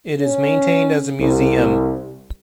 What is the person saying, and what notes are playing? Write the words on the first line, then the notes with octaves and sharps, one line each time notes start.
It is maintained as a museum.
C#4
C2